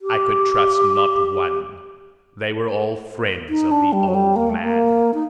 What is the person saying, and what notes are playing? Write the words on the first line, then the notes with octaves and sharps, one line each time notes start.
I could trust not one; they were all friends of the old man.
G4
D#4
D4
G3
F#3
G3
A#3
A3
A#3
D#4